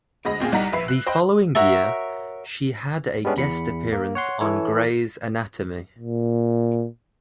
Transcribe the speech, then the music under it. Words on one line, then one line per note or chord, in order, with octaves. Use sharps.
The following year, she had a guest appearance on "Grey's Anatomy".
D2 G#3 D#5 B5 A#6
A#2 C4 F4 G#4
C2 G3 D#4 F#5 A#5 B6
A#1 B4 E5 B5 E6 C7
F#6
C5 D#5 G5 B5
F#4 A#4 C#5 E5
G3 G#3 B3 C#4 D4
E2 B5 C#7
A#3
C#5 F#5 C6
E3 E4 A4 C#5
A#2